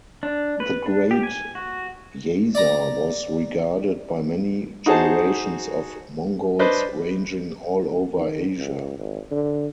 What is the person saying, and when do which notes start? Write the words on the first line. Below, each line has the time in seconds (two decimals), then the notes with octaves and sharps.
The Great Yasa was regarded by many generations of Mongols ranging all over Asia.
0.23 D4
0.60 B4
0.86 D4
1.11 G4
1.23 G#5
1.55 F#4
2.55 D5 A#5
4.86 D#4 F#4 G#4 C5 A5
6.59 D4 B4 C5 D5 D#5
8.17 D#3
8.58 C#2
8.99 G#1
9.31 D3